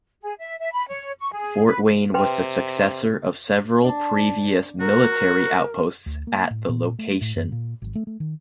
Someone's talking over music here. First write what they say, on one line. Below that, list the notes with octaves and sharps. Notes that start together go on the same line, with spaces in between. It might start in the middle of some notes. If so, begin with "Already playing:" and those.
Fort Wayne was the successor of several previous military outposts at the location.
G#4
E5
E5
B5
C#5
C#6
G#4
B4
C3 B4 G5 C6
D4
F#3 F#4 A#4
D2
A#3
A2
A#2
A3
A2
F#2
A#2
G#1
A3
A3
D#3